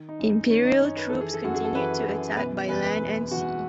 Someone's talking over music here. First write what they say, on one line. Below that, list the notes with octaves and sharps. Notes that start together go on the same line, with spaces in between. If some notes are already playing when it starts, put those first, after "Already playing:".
Imperial troops continued to attack by land and sea.
Already playing: D#3
D#4
F#2
D#4
D#3 C#4
D#4
F#2 C#4
B4
E3 A4
G#4
A4
F#2 F#4
G#4
A4
E3 B4
F#2
B2 B4
E2 B4
B4
B2
E2 F#4